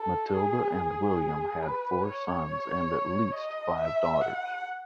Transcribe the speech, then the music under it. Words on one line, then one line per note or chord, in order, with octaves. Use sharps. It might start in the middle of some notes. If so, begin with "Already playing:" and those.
Matilda and William had four sons and at least five daughters.
Already playing: A4
G#4
G#4
B4
C#5
D#5
E5
F#5